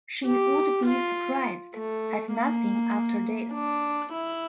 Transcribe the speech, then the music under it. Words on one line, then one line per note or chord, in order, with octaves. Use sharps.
She would be surprised at nothing after this!
G4
F4
A3
A#3
D4
E4